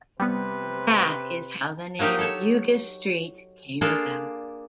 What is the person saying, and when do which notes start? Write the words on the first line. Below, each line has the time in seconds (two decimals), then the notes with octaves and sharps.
That is how the name Bugis Street came about.
0.20 C3 G3 B3 B4 C5
1.99 F#3 A#3 D#4 G4 D#5
2.19 A4 C#5 A5
3.81 A#3 D4 F4 G#4 A4 D5